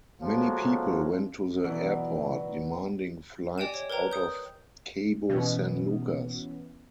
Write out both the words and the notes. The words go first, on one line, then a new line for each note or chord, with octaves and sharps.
Many people went to the airport, demanding flights out of Cabo San Lucas.
F3 F#3 G#3 A3 F4
B2 E3 F#3 B3 E4 D5
G4 D5 D#5 G5 G#5 E7
C#5
A#4 B4 C#5 G5 A#5
D#6 G6
B2 E3 B3 C#4